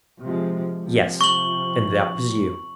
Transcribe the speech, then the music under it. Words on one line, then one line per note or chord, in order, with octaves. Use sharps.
"Yes; and that was you!"
C3 F3 G#3
C3 F3
C#6 F#7